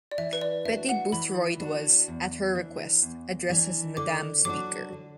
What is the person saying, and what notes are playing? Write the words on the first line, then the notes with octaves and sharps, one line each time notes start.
Betty Boothroyd was, at her request, addressed as "Madam Speaker".
D5
E3 E5
B4
D5
D4 F#4 E5
F#5
E3 B5
D4 F#4
E2
E3 D4
E2
E3 D4
D3 D6
F#3 D4 F#4 D6
D3